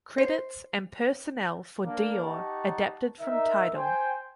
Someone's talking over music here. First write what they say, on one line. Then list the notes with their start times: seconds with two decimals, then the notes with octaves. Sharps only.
Credits and personnel for "Dior" adapted from Tidal.
0.18 C5
1.85 A#3 D4
2.22 D#4 G4 F#5 A5 A#5 C#6
3.21 D#4 A#4 E5
3.75 C5 G5 G#5